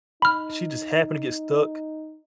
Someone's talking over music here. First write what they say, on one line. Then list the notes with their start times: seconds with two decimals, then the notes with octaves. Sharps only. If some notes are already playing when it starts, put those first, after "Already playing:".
She just happened to get stuck
0.22 D#4 B5 F6